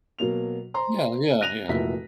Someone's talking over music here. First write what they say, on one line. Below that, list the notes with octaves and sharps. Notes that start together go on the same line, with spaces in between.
Yeah, yeah, yeah.
B2 F#3 A#3 F7
C5 A#5 C6
F#6 A#6 D#7 F7
F1 A#2 E3 E4 F#4 B6